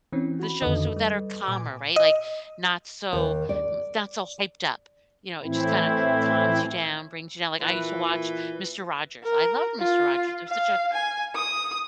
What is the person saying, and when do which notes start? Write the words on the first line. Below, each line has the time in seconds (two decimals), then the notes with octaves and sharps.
the shows w that are calmer, right, like, not so n not so hyped up, you know, it just kinda calms you down, brings you down, like, I used to watch Mister Rogers, I loved Mister Rogers, it was such a
0.13 E3 C4 C#4
0.40 F#4 B5
0.62 F2 D3 D#3 A4 B4 D#5
0.97 G3
1.48 A#2 G#5 D6
1.96 D#5
3.13 D#2
3.49 D5
5.42 A2 E3 C4 E4
7.61 A#2 E3 B4
9.24 A#4
9.79 F4
10.48 F5
10.93 G#5
11.35 D#6